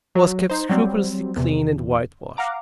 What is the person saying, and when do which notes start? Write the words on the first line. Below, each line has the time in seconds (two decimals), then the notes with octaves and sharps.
It was kept scrupulously clean and whitewashed.
0.15 F#3
0.50 D#4 C5
0.70 F#3 G3 C4
1.37 E2 C3
2.37 F5 F#5 A#5 D6